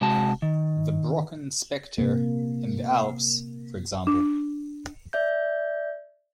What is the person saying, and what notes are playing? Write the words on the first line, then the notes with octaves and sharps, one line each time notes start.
The Brocken Specter in the Alps, for example.
C3 G#3 F#4 A5
D#3
C3 A#3
D4
D5 E5 G6